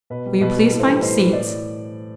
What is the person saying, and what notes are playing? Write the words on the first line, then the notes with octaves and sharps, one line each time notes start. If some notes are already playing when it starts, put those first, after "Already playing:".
Will you please find seats?
B2 B4
G3
B2 B4
G3
A2 A4
C5
E3 G3 B4
A2 C5
E3 G3 B4
A2 D5